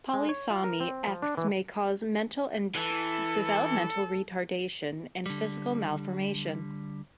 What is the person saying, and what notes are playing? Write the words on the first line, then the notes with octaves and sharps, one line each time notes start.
Polysomy X may cause mental and developmental retardation and physical malformation.
G#3
C#5
F4
A#4
C4
F3
D4
E3
E3 A4
D3 G3